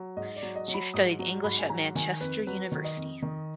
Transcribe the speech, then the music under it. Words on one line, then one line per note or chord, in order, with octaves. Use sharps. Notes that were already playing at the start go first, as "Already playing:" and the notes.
She studied English at Manchester University.
Already playing: F#3
G#2 D#5
D5
F#3
D#5
F#3
B5
G#2 D#6
F#3
G#2 B5
G#5
F#3 A#5
D#3 G#5
F2 B4
F#3 B4
D#3
D#5
F2
D#3